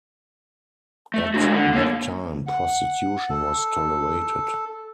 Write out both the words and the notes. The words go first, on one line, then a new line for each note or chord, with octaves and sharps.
At that time prostitution was tolerated.
A3
G#3 D4 F#4
D3
A#3 C#5
F#5
A4